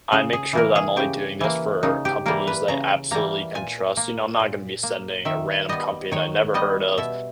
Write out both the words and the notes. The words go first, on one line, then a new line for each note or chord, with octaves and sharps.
I make sure that I'm only doing this for companies that I absolutely can trust, you know, I'm not going to be sending a random company that I've never heard of,
C#3 G#4
G#4
E3 A#3 A#4
G#4
C#3 G4
E3 A#3
C#3 D#4
G4
E3 G3 A#3 A#4
B4
C#3 A#5
E3 G3 A#3 A#5
A#2 G#5
A#3
A#2
A#3
D#3 E5
G3 B3 D#5
D#3 C#5
G3 B3 D#5
B2 E5